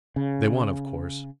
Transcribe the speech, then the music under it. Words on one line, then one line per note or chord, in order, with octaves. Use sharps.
They won, of course.
C#3